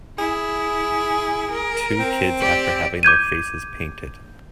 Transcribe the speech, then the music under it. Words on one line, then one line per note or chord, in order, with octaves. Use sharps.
Two kids after having their faces painted.
E4 G#4
A#4
C4
G4 D5
D6 G6 G#6 D#7